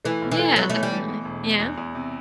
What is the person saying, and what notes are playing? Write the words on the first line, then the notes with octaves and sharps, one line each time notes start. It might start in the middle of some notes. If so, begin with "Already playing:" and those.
Yeah, definitely. Yeah.
E3 A3
B1
E3
A3
F#3 B3
E3 A3
G3
E3
B2
E1
B2
E2
E2
C3